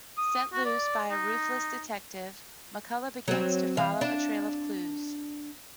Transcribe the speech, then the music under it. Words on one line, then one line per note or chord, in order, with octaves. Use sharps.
Set loose by a ruthless detective, McCullough begins to follow a trail of clues.
D#6
F#4
D5
D#4
F#3 C4
E3 F5
D4